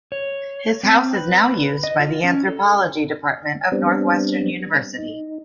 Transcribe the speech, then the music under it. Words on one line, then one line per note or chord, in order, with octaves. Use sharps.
His house is now used by the Anthropology Department of Northwestern University.
C#5
C4
B4
D#5
F4
C#4
A4
G3 B3 C4 D4
D#4